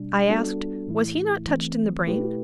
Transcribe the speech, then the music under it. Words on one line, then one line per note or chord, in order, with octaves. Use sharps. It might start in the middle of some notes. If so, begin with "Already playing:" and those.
I asked, was he not touched in the brain?
Already playing: B2 G3 D4
G3 B3 D4 F#4 A4
A2 E3 A3 E4
E3 A3 C4
B2 A3 E4 G4 B4